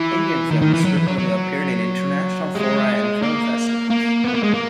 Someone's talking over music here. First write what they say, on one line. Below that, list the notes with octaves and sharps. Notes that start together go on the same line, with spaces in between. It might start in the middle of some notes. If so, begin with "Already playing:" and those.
Indian films frequently appeared in international fora and film festivals.
Already playing: E3
D#3
D#3
E3
F#3
E3
F#3
F#3
G#3
A#3
A#3
B3
A#3
G#3
A#3